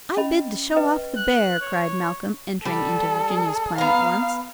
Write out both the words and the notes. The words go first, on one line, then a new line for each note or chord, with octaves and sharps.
"I bid to show off the bear," cried Malcolm, entering into Virginia's plan at once.
C#4 D#5 B5
B4 D#5 G5
F#6
C#5
G3 A4
B3 F5 A#5